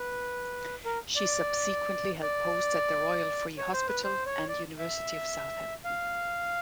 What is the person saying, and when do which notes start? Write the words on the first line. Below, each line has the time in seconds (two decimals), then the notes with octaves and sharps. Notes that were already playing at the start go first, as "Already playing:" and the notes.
She subsequently held posts at the Royal Free Hospital and University of Southampton.
Already playing: B4
0.85 A#4
1.16 D5
2.22 D5
3.58 C#5
3.73 C5
3.88 B4
4.03 C5
4.26 C#5
4.48 D5
4.79 E5
5.84 F5